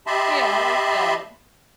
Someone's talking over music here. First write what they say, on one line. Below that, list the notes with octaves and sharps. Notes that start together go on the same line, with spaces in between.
Yeah, I like that.
G4 D#5 E5 A5 B5 C6